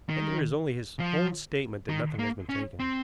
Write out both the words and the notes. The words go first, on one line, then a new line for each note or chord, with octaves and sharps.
Then there is only his own statement that nothing has been taken.
D#3
F3
D#3
A#3
C#4
C4